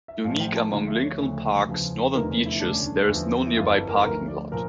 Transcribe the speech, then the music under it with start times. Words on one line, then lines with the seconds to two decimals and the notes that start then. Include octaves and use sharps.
Unique among Lincoln Park's northern beaches there is no nearby parking lot.
0.08 E5
0.24 A1 A2 F3 F5
0.40 G5
0.56 A5
0.72 D2 D3 F3 F5
0.88 E5
1.04 C#5
1.20 D2 C#3 F3
1.67 E2 C#3 F3
2.14 F1 E2 D3 F3 A#4
2.30 C#4
2.46 E4
2.60 E1 D2 C#3 D4
2.73 C#4
2.86 D4
3.09 E2 D3 F3
3.47 E4
3.57 G1 F2 E3 F4
3.73 A4
3.89 A#4
4.04 D2 D3 F3 A#4
4.28 D5
4.52 A#2 F3 A#4